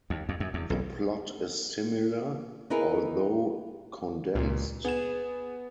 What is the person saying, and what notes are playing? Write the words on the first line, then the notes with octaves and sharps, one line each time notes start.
The plot is similar, although condensed.
D#2
F2
F#2
E2
B1
B3 D#4 E4 G#4 A#4
C#2 A#2
B3 G#4 E7